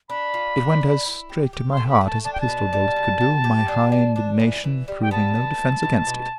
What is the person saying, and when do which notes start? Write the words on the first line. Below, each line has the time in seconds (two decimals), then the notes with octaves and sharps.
It went as straight to my heart as a pistol bullet could do, my high indignation proving no defence against it.
0.09 D4 B5
0.34 F4
0.57 D4
0.81 E4
1.05 E4
1.29 G4
1.53 G4
1.71 C6
1.77 A3
1.89 B5
2.01 A3
2.06 A5
2.24 D4 A5
2.33 G5
2.41 A5
2.48 B2
2.73 G3
2.96 B2
3.20 G4
3.44 G4
3.68 D4
3.92 D4
4.16 D4
4.40 E3
4.64 E3
4.88 G3
5.02 G5
5.11 B3 A5
5.35 B3
5.59 E4
5.83 B2
6.07 B2